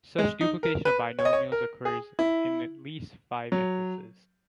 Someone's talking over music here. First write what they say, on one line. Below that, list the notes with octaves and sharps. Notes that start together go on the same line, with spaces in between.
Such duplication of binomials occurs in at least five instances.
G#3
D#4
A#4
B4
C#5
D#5
C#5
A#4
G#4
E4
F#3